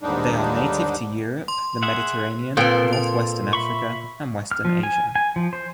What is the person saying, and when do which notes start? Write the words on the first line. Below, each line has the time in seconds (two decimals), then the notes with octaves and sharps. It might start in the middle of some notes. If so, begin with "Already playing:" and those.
They are native to Europe, the Mediterranean, northwestern Africa, and western Asia.
0.01 D#2 G#2 D3 G3 D4 D#4
1.48 C6
1.83 G#4 E5 F#5
2.57 A#2 C4 A4 B4 C5 G5
2.93 C6
3.53 E5 B5 C#6
4.51 F6
4.65 F3
4.83 G#5
5.15 G#5
5.36 F3
5.53 C5